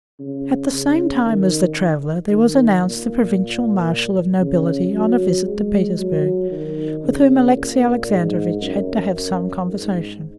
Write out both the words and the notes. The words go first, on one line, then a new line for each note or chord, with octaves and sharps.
At the same time as the traveler there was announced a provincial marshal of nobility on a visit to Petersburg, with whom Alexey Alexandrovitch had to have some conversation.
C#3
C#3
D#3
D#3
A#2
C#3
F#3
G#3
F#3
D#3
C#3
A#2
G#2
F#2
F#2
G#2